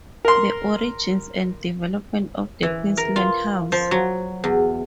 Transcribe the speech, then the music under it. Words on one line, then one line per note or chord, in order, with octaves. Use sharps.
The origins and development of the Queensland house.
A#4 C6
E3
A#4
F4
F3
F#3
E2